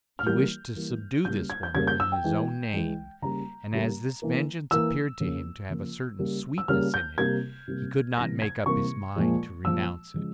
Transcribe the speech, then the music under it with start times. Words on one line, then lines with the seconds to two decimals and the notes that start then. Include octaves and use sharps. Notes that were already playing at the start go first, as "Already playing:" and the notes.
He wished to subdue this woman in his own name; and as this vengeance appeared to him to have a certain sweetness in it, he could not make up his mind to renounce it.
0.19 F6
0.26 E3 G3 A#3 G6
0.75 E3 G3 A#3
1.25 C#3 G3 A#3 G6
1.50 G#6
1.63 G6
1.75 C#3 G3 A#3 G#6
1.87 G6
2.00 E6
2.12 G5
2.24 E3 G#3
2.73 E3 G#3
3.22 C#3 G3 A#3 A#5
3.72 C#3 G3 A#3
4.22 E3 A#3
4.71 E3 A#3 E6
5.20 C#3 F3 A#3
5.69 C#3 F3 A#3
6.19 C#3 G3 A#3
6.58 E6
6.68 C#3 G3 A#3 F6
6.94 G6
7.18 C3 G3 A#3 G#6
7.68 C3 G3 A#3
8.16 C3 E3 G3 A#3 A#6
8.42 G#6
8.66 C3 E3 G3 A#3 C#6
9.16 A#2 F3 G#3
9.65 A#2 F3 G#3 E6
10.14 C#3 F3 G#3